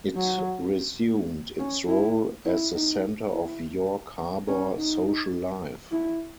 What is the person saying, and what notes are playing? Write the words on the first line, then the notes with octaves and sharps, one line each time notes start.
It resumed its role as the center of York Harbor social life.
F#3
C#4
E4
E4
D#4
E4
C#4
D#4
E4